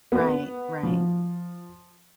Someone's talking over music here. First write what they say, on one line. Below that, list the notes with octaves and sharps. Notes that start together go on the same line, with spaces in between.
Right, right.
B3
F3